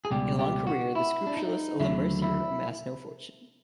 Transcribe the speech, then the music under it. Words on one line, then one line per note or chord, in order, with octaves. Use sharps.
In a long career, the scrupulous Lemercier amassed no fortune.
G#4
C#2 B2 G3 G4
G4
F#4
E4
D4
D#4
D#2 D3 F#3 A3 E4
E4